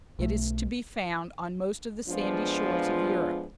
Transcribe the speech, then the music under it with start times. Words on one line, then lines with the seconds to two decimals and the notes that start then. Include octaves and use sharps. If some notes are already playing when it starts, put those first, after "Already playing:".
It is to be found on most of the sandy shores of Europe.
0.19 B1 A3
2.08 F2 F3 G#3 B3 D4 F4